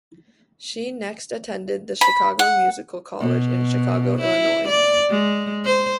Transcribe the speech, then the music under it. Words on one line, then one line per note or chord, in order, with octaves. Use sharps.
She next attended the Chicago Musical College in Chicago, Illinois.
B5
F#5
B2
E4
D5
G#3
C5